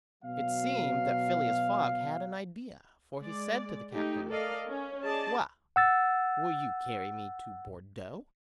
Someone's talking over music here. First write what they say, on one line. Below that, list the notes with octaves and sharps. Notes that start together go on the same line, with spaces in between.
It seemed that Phileas Fogg had an idea, for he said to the captain, "Well, will you carry me to Bordeaux?"
B2 F#3 F5
G#3 D5
A3 D#4 G4
A4 A#4 D5 D#5 F5
C#4
G#4 D5 D#5 A5
F#5 E6 A6